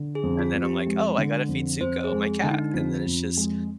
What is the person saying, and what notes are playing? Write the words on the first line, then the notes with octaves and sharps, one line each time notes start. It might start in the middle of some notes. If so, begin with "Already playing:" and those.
And then I'm, like, "Oh, I gotta feed Zuko", my cat, and then it's just
Already playing: D3
G#4
F2
F4
F2
G4
G#3
D3
F2
F2 C5
G#4
G#3
D3
D#4
F2 F4
F2
G#3